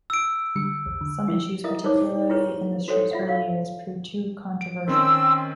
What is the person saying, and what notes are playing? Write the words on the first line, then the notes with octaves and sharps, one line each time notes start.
Some issues, particularly in the strip's early years, proved too controversial.
E6 D7
D3 G3 C#7
B1 E2
D3
F3 E4
E4 A#4 D#5 E5 D#6
D#4 A#4 C5 C#5 D6
E4 G4 G#4 A#4 B4 C#5
F#4 A4 C5 C#5 G5
F4 E5 F#5
F5
D7
D#3 C4 C#4 G5 C6 E6